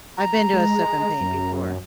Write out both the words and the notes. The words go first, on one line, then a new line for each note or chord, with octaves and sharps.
I've been to a sip and paint before.
A#5
G#3
F#2